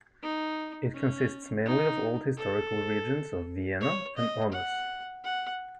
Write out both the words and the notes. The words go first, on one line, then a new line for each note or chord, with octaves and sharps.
It consists mainly of old historical regions of Viena and Aunus.
D#4
C#4
D#4
A4
C#5
D#5
F#5
F#5